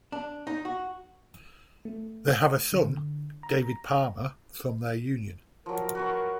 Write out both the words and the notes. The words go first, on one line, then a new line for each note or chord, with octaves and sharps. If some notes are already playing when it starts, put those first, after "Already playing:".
They have a son, David Palmer from their union.
D4
D#4
F#4
A3
D3
A#5
F3 F#3 A#4
F#4 B4 C#6